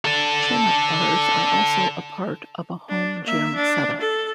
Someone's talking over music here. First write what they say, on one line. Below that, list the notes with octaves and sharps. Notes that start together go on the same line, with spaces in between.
Chin up bars are also a part of a home gym setup.
A4 D5
D4
A#3 E5
D4
A4